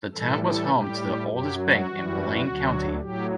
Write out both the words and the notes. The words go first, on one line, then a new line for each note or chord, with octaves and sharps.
The town was home to the oldest bank in Blaine County.
A2 E3 G3 A4
A4
A2 G3 G4
F#2 F#3 G4
F#4
F#2 E3 G3
D2 D3 F#3
A2 F#3 G4